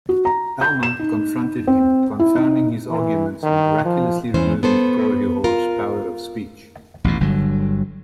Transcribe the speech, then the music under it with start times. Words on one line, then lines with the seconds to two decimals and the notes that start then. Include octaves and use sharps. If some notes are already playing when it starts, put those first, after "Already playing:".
Alma confronted him, confounding his arguments and miraculously removing Korihor's power of speech.
0.09 F#4
0.25 A#5
0.61 G6
0.83 E7
0.99 D#4
1.67 C4
2.19 E4
2.35 D#4
2.90 E3
3.43 D#3
3.85 F3
4.34 E2 E3 C#4 C5
4.63 B3 A4 C5
5.44 F4 A#4
7.04 A1 D#2 B2
7.20 G1 G2 D3 F#3